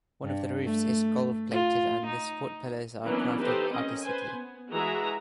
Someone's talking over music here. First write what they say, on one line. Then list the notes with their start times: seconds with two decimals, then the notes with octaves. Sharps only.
One of the roofs is gold plated and the support pillars are crafted artistically.
0.24 G2
0.63 A3
1.52 F4
2.06 D#4
3.03 E3 F#3 A#3 B3 C#4 D4
3.38 D#4 G4 A4 B4 C5
3.68 A#3 C4 C#4 D#5
4.02 B4 C5 G#5
4.31 B3
4.70 E3 G#3 F#4 G#4 E5 A#5